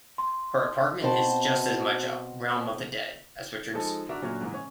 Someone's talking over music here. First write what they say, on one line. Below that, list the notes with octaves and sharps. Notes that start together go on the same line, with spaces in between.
Her apartment is just as much a "realm of the dead" as Richard's.
C6
B2 C4 F#4 C5 C#5 A5
F3 G#3 D#4 A4
D4 E4 F#4 A#4 E5
A#2 D3 F#3 C#4 F#4
G#2 E3 A#3
C#4